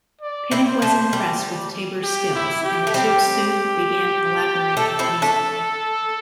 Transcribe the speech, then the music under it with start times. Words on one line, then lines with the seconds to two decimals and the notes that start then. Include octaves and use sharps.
Pinnick was impressed with Tabor's skills and the two soon began collaborating musically.
0.21 D5
0.51 C4 E4
0.67 C5
0.82 A3 D4
1.13 G3
2.03 G4
2.34 E4
2.64 G4
2.87 A3
2.94 G3 C4 G4
4.77 A3 D4 A4
4.99 C4 E4
5.22 A3 D4